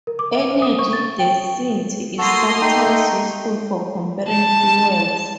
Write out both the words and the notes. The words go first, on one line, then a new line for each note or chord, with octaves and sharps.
Energy density is sometimes useful for comparing fuels.
A#4
D6
E5
C5
D#6
C#6
A6
G5
A#3 F#4 A4 C6 D#6
A3 D#4 G5
A5